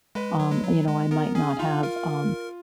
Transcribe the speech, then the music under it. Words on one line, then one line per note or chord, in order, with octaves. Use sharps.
um, you know, I might not have, um,
G#3 B4
F#3
G#3
F#3
G#3
B3 A#4
C#4 G#4
D#4 F4
F4 A#4